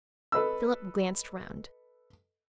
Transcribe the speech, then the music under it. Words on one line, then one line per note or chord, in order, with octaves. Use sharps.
Philip glanced round.
A4 B4 D#5 E6